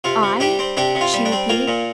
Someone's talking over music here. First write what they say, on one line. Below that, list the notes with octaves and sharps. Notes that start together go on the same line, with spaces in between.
"I?" she repeated.
C3 F4
C3
G3 D4 G4
C4
C3 D4 G4
C3
F4
G3
D4
C4
A#3 F4
A#2